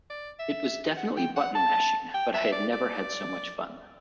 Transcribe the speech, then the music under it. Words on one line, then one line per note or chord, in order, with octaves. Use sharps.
It was definitely button mashing, but I had never had so much fun.
D5
E5
F#5
G5
F#5
A5
G5
E5
D5
D5